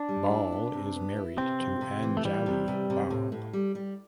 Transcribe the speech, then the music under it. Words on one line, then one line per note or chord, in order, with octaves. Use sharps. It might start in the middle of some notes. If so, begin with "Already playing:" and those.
Bahl is married to Anjali Bahl.
Already playing: D4
G3
E4
B3
C3
B3
E4
C3 C4
F2
C3
E3
A3
E3 G3
C3
C3
C3
A2
A2
G3
G3